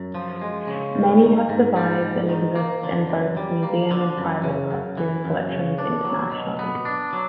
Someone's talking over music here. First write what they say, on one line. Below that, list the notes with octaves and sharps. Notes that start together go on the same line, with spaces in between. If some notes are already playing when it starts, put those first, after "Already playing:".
Many have survived and exist in both museum and private costume collections internationally.
Already playing: F#2
F3
G#3
C#3
G#2
D#3
G#2
G3
G#2
D#3
A#3
D3
F#2
G3
A#3
D3
F#2
C#3
F#2
E3
F#2
C#3
D4
F#3
B2
B3
D4
F#3